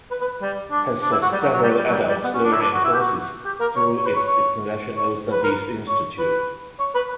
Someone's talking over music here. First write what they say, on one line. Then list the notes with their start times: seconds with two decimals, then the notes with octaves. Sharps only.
Hess has several adult learning courses through its International Studies Institute.
0.11 B4
0.21 B4
0.42 G3
0.71 D4
1.02 D4
1.12 E4
1.22 F#4
1.32 G3
1.42 F#3
1.53 F#3
1.63 G3
1.78 G3
1.88 F#3
1.93 G3
2.09 G3
2.24 B3
2.34 C#4
2.44 D4
2.52 E4
2.61 D4
2.74 F#4
2.84 E4
2.94 G4
3.00 F#4
3.45 G4
3.60 A#4
3.76 C#5
3.96 C#5
4.06 B4
4.16 C#5
4.26 C#5
4.97 C#5
5.32 B4
5.43 A#4
5.88 C#5
6.19 B4
6.79 C#5
6.95 B4